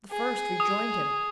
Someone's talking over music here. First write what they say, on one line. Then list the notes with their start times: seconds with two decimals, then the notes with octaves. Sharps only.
The first rejoined him.
0.11 G#4
0.60 D#6